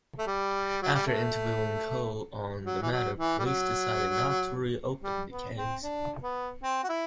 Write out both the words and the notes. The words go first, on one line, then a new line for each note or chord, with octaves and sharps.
After interviewing Cole on the matter, police decided not to reopen the case.
A3
G3
F#3
G3
A3
F#3
E3
F#3
E3
G3
F#3
G3
B3
C4
D4
B3
C4
F#4
E4